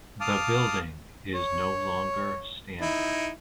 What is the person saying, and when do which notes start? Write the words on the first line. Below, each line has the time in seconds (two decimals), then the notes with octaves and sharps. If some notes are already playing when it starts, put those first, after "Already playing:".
The building is no longer standing.
0.21 F5 A5 D6 D#6 F6
1.34 C#5
2.81 D#4 E4